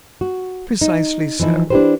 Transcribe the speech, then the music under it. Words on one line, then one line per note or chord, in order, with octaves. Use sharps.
"Precisely so."
F#4
D#4
E3 F3 D#4 E4
D4 E4 F4 G4 B4 C5